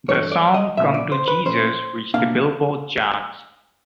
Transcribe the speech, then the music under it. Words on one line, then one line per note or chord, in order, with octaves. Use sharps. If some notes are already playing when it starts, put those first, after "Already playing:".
The song "Come to Jesus" reached the "Billboard" charts.
G2 E3 A3 D4 C#5
D5
D#5
A#2 F3 A3 C#4 E5
D5
C5
B4
A#2 F3 A3 C#4 C5
B2 F#3 A#3 D4 F5